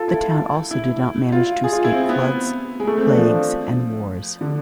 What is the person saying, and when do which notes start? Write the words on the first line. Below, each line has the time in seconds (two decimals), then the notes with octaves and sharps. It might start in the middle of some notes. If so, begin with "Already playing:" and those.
The town also did not manage to escape floods, plagues and wars.
Already playing: F4 A4
0.08 E4
0.71 E4
1.32 F4
1.64 G#4
1.73 F4
1.84 E4
1.94 C4
2.09 B3
2.80 G#3
2.87 A3
2.97 C4
3.08 D4
3.17 F3
4.41 D3